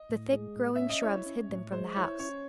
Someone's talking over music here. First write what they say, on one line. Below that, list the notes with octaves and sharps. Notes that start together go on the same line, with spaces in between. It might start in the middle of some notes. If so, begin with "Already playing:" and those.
The thick growing shrubs hid them from the house.
Already playing: D#5
A2
G#3
A2
C#4 E5
D#5
E4 C#5
C#4
A2
G#3 C5
E4 C#5
C#4 C#5